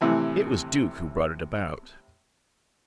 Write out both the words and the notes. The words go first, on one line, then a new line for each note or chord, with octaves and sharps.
It was Duke who brought it about.
A2 C3 E3 G#5